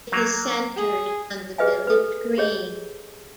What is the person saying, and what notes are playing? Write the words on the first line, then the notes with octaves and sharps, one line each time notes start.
It is centered on the village green.
F#3 A#3
G#4
G4 G#4 B4 D#5 E5 G#5
A4 B4
G4 G#4 C#5 D#5